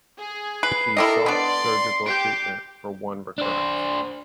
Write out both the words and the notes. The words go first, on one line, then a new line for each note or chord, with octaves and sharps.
She sought surgical treatment for one recurrence.
G#4
B4 C7
E4 G4 A4 A#4 D#5
B3 D4 D5 C6
G4 G6 C7 D7
D4 C5